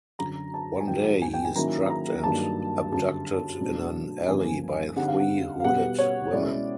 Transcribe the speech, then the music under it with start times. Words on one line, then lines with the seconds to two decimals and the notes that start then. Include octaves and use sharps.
One day he is drugged and abducted in an alley by three hooded women.
0.19 F#2 D3 F#3 A#5
0.54 A5
0.80 G#5
0.88 G#2 D#3 F#3 G5
1.22 G#5
1.34 G5
1.45 G#5
1.56 D#3 F#3 A#3 C#4 E4 A#5
1.90 A#5
2.24 G2 D#3 F#3 A#3 D4 A5
2.92 F#2 D3 G3 A5
3.60 B2 F#3 A3 D4
4.28 G2 D3 F3 A#3 C#4 G#5
4.96 D3 G3 C4 D#4 F#5
5.08 F5
5.19 F#5
5.60 F5
5.64 B2 G3 B3 F#5
5.99 C#5
6.33 B2 G#3 C#4 E4 D5